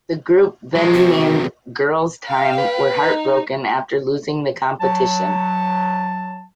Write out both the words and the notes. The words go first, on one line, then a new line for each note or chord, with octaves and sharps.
The group, then named "Girl's Tyme" were heartbroken after losing the competition.
F#3 G#3
E2 C3 F#4
F5 G5
B4
D#4
F#3 A5